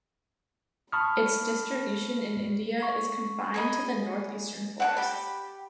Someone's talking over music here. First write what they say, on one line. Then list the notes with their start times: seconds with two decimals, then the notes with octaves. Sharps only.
Its distribution in India is confined to the north-eastern forests.
0.92 A5 B5 C#6 D#6 F6
2.83 C#6
3.54 G#4 D#5 B5
4.80 F#5 G5 A5
4.97 G4 B5